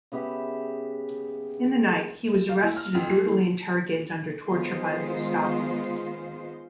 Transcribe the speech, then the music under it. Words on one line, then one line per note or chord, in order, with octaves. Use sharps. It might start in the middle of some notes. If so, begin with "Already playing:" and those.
In the night he was arrested and brutally interrogated under torture by the Gestapo.
C#3 B3 G4 E5
F5
E4
F6
F2
C7
E3
D#3 G#3 B3 F4 C5